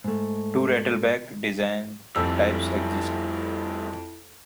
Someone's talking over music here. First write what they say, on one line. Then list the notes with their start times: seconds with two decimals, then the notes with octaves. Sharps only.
Two rattleback design types exist.
0.04 G#2 A3
2.16 F2 G3 A3 E4 E6